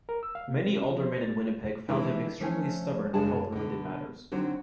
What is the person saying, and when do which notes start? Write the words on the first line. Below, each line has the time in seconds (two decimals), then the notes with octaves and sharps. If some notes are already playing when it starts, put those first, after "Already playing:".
Many aldermen in Winnipeg found him extremely stubborn on health-related matters.
0.09 A#4
0.23 E6
0.35 F5
0.48 C3
0.63 C4
0.76 C#4
0.90 F3
1.02 C5
1.21 A6
1.88 D#3 E3 G#3 D4 E4
2.40 F3 A3 C#4 C#5 G#5
3.14 F#2 C#3 G#3 D4 G#4 A5
3.52 B2 D3
4.32 D3 F#3 C4 D#4